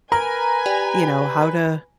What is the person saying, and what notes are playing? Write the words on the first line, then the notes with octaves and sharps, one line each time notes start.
you know, how to
A#4 B4 G#5 A#5 F6
G4 D5 G5